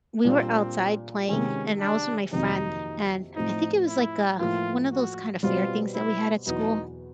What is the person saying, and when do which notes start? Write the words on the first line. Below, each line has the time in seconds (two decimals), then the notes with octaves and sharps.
we were outside playing and I was with my friend, and I think it was like, uh, one of those kinda fair things that we had at school,
0.25 A#2 G3 A#3 C4 D4
1.29 C3 D#3 G#3 C#4
1.80 D4
2.32 F2 C3 D#3 F#3 A#3 D#4
3.36 A2 F3 A3 C4 D#4 E4
3.87 E4
4.39 A2 F3 A#3 F4
4.92 F#4
5.43 B2 G3 C4 F4
5.95 E4
6.46 E2 B2 F#3 B3 D#4 E4